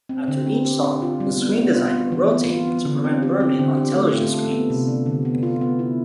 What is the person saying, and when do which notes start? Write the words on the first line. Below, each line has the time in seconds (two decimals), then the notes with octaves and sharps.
After each song, the screen design will rotate to prevent burn-in on television screens.
0.09 C4
0.28 D3
0.46 C4
0.65 G4
0.83 D4
1.02 F4
1.20 G3
1.38 B3
1.57 B3
1.75 F4
1.93 B3
2.12 E3
2.31 B3
2.49 F4
2.67 B3
2.85 D3
3.04 C4
3.22 G4
3.40 C4
3.59 D3
3.77 G4
3.95 A3
4.14 F4
4.33 A4
4.51 B3
4.70 C3
4.88 D4
5.06 D3
5.25 B3
5.43 F4
5.61 B3
5.79 E4